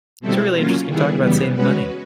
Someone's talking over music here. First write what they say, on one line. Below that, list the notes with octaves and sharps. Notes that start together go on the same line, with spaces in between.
was a really interesting talk about saving money.
B2 G3 C4 E4 A4
F#3 A#3 C#4 F4
D#3 G3 B3 E4 G#4
F#2 C#3 E3 G3 B3
G#3 C#4 F#4 B4